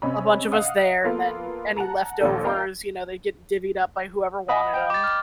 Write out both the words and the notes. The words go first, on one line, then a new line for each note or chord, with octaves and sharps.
a bunch of us there and then any leftovers, you know, they get divvied up by whoever wanted 'em.
C3 C#4 D#5 B5
D#5 F5 F#5 D#6
A#3 B3 F4 A4
F#5 A5 A#5
A#1 D#2 A4
A#4 D#5 F5 G5 A#5
D#5 F#5 B5
G5
D6 A6
D6 F6